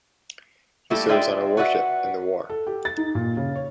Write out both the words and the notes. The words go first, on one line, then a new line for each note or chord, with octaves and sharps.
He serves on a warship in the war.
G3 A3 A#3 E4
G#3 F4 D5 E5 G5
F#4 B4 D5 E5 F#5
A4
G4
A6
D#4
A#2
C#3
C#5